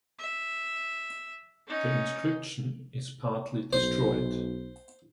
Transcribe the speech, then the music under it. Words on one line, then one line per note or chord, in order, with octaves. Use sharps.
The inscription is partly destroyed.
E5
C#4 D#4
B1 C5